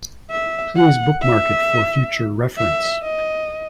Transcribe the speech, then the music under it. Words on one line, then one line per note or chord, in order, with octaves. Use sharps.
Please bookmark it for future reference.
E5
F#5
E5
E5
D#5